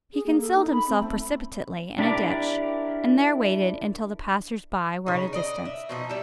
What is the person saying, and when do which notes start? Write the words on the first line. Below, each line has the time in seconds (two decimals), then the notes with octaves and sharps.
He concealed himself precipitately in a ditch, and there waited until the passers-by were at a distance.
0.13 G#4
0.26 A#3
0.40 A4
0.54 D#4
0.72 B5
0.87 C4
1.00 A3
1.99 D4 E4 G4 A#4 D5
5.06 C#3 D#4
5.33 D5 D#5
5.65 E5
5.89 B2 F3 D#4
6.09 G3 E4